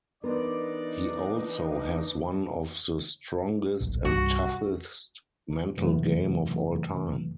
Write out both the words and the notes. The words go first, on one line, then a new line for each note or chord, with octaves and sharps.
He also has one of the strongest and toughest mental game of all time.
E3 B3 D4 D#4 A#4 C5 D5
D1 A#1
C2 G2 F#4
F#2 C3 E3 F#3 A3